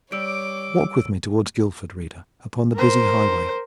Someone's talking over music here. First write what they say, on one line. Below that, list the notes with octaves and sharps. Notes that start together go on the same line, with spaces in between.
Walk with me toward Guildford, reader, upon the busy highway.
G3 C#5 D6 E6 D7
A#4 C5